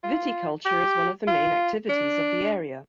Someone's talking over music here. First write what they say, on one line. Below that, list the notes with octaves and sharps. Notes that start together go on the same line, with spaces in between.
Viticulture is one of the main activities of the area.
F4
G4
F4
D4